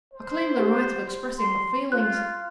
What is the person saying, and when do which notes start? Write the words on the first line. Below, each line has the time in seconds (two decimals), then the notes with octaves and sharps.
I claim the right of expressing my feelings.'
0.13 C5
0.57 G4 F#5
1.37 C6
1.92 F4 F#6